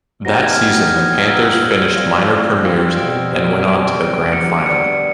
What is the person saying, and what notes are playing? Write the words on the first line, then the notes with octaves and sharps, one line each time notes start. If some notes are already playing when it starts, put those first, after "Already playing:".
That season the Panthers finished minor premiers and went on to the grand final.
F#3 B3 D#4 G4 A#6
A6
G#6
F6
F#3 B3 D#4 G4
F#3 B3 D#4 G4
F#3 B3 D#4 G4 E6
G3 C4 F4 E6
G3 C4 F4 A#6
G3 C4 F4
G3 C4 F4
B2 G3 C4 D7
B2 G3 C4
B2 G3 C4 D7
B2 G3 C4
G3 B3 D4 C#7
G3 B3 D4 C#7